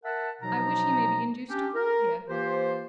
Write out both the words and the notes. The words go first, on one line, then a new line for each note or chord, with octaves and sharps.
I wish he may be induced to call here.
A#4 E5 F#5 A5
B2 F3 F#3 D#4 A#5
C#4 D4 G4
A#4
E3 A#3 F4 G4 C5